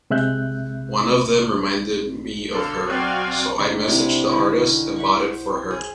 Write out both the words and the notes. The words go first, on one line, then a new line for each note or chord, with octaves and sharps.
One of them reminded me of her, so I messaged the artist and bought it for her.
C3 G#3 E5 F#6 G6
D3 A4 F5
F#3 C4 F#4 D5 F5 G#5
D#3 D4
C3 E4 F#5 C6
D3 D#3 C#4 E4
E5 F#5 C#6
C5
G#4